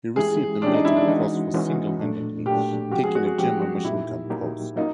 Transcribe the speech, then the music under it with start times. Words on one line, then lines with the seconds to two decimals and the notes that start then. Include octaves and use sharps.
He received the Military Cross for single-handedly taking a German machine-gun post.
0.16 E3 G#3 C#4 E4 G4 G#4
0.62 E3 G#3 C#4 D4 E4 G4
0.74 D#4
0.85 E4
0.96 D4
1.08 E3 G#3 C#4 D#4 F#4
1.54 E3 G#3 C#4 F#4
1.99 A#2 F#3 A3 D4
2.46 A#2 F#3 A3 D4 G4
2.92 F3 G#3 C#4 F#4 G4
3.04 G#4
3.15 F#4
3.27 G#4
3.38 F3 G#3 C#4 F#4 G4
3.62 F#4
3.84 A#2 F#3 A#3 D#4 E4 G4
4.30 A#2 F#3 A#3 D#4 G4
4.76 F#3 A#3 C#4 D#4 F4